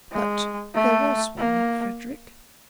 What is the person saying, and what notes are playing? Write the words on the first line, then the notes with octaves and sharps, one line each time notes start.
"But there was one, Frederic?"
G#3
A3
A#3